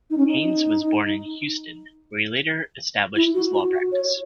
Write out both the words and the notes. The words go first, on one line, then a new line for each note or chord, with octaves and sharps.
Haynes was born in Houston, where he later established his law practice.
D#4
C#4
D#4
E4
F#4
F#4
F#4
C#5